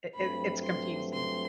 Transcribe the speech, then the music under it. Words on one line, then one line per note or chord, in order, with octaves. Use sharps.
it it it's confusing.
G2 F#3 A3 C4 B5
C6
C6